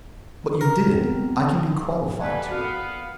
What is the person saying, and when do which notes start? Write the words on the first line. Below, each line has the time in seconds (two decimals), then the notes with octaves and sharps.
"But you did, I can be qualified to it."
0.61 A#4
0.92 B3 C4
2.20 D3 G3 B4 D5 F#5 G#5 A5
2.51 B3 F#4 A4 A#4 F5